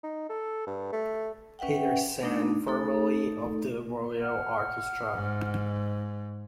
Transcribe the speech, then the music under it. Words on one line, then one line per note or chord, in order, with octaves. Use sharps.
Petersen, formerly of the Royal Orchestra.
D#4
A4
G2
A3
C#4 B4 E5 F#5 G5
A3 D4 D#4
A3 D#4 A4
F#5 F6
G#2